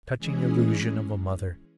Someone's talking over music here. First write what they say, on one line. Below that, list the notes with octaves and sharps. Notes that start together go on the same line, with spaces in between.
Touching illusion of a mother!
E3 G#3 C#4 G#4